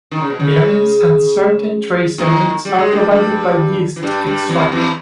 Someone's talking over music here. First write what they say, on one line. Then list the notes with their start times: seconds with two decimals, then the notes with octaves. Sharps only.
Vitamins and certain trace elements are provided by yeast extract.
0.11 D#3
0.21 C#3
0.30 B2
0.39 C#3
2.18 D#2 D#3
2.65 G3
2.79 G#3
2.91 G2 G3
3.11 G2 G3
3.96 E3
4.03 G2 G3
4.27 G2 G3
4.49 E2 E3
4.72 E2 E3